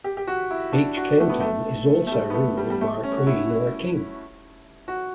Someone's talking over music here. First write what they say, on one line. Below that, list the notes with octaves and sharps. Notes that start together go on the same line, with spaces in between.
Each canton is also ruled by a queen or a king.
G4
G4
F#4
E4
D4
F#4
A3
B3
A3
A3
G3
B3
A3
G3
G3
A3
C#4
F#4
E4
F#4